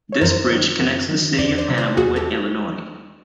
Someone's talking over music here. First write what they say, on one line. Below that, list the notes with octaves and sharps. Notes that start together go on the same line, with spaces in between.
This bridge connects the city of Hannibal with Illinois.
C#5
F#2 A#4 C5
D#3 F#3
F#2
D#3 F#3
E2 C5 D5
C5 D5
C3 D#3 F#3
C5 D5
E2 F#4 G#4
G4 A4